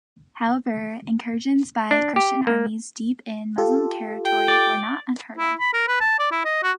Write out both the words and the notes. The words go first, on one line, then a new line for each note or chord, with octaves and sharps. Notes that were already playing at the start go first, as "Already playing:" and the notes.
However, incursions by Christian armies deep in Muslim territory were not unheard-of.
D4
G4
A#3
F4 G4 A4
G5
D5
E4
B5
A#4
B4
A5
D5
E4
D#5
F#4